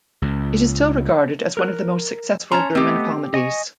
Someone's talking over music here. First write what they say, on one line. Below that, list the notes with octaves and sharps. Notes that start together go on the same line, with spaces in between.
It is still regarded as one of the most successful German comedies.
C#2
A#4 F#6
C#4 C#5 A5 A#5 C6
A3 B3 C4 G4 D#5
D#5 G#5 C#6